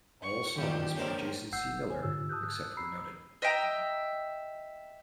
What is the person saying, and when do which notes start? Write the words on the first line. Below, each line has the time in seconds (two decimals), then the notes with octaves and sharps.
All songs by Jason C. Miller except where noted.
0.22 C#6
0.58 G2 A#2 D#3 E3 D4 G4
0.96 D3 A#3 C#4 A4 A#4 C5
1.53 G1 F#5 E6 G6 C7
1.89 A4 C5 C#5 G#5
2.03 G#2 D3 F4 G4 E6
2.29 A5 D#6 E6 F#6 G6
2.77 A#5 B5 E6 C7
3.42 D#5 E5 G5 A#5